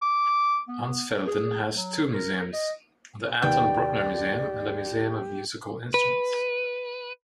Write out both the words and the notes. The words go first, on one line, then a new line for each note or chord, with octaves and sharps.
Ansfelden has two museums, the Anton Bruckner Museum and a museum of musical instruments.
D6
B3
G#4
F#3
A#4
D#5
D#2 D#3 B3 G4 D5 G5
B4